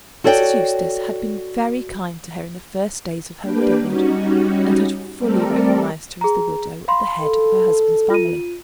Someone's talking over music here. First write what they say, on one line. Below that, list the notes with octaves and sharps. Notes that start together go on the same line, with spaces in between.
Mrs. Eustace had been very kind to her in the first days of her widowhood, and had fully recognised her as the widow of the head of her husband's family.
F#4 A4 C#5 D5 E5 G5
A#3 D4 G4 B4 G5
G3 C#4 D#4 F#4
G3 A3 C4 A4 A#4 D5
G#4 A#5
F5 B5 C6
A4
F4 D#7